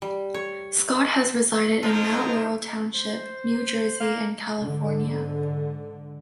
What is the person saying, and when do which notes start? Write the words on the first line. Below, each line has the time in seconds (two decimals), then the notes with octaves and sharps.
Scott has resided in Mount Laurel Township, New Jersey, and California.
0.02 G3
0.34 C#5
1.83 G#3 D#4 F4 A4 A#4 C5
2.95 C5
4.00 A#3 F5
4.59 G#2 D3